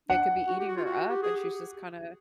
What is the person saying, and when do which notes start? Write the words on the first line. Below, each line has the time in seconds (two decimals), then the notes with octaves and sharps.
it could be eating her up, and she's just, kinda
0.09 D4 F#5
0.47 F#4
0.60 G4
0.69 F#4
0.77 F4
0.85 F#4
1.10 G4
1.23 G#4
1.36 G4